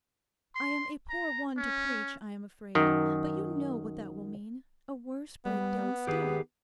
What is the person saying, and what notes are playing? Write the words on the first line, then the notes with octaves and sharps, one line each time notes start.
I am a poor one to preach, I am afraid; but you know what that will mean--a worse breakdown still.
C6
A#5
C#4
F#2 D#3
G3 B3
D#3 G4 G#4 B4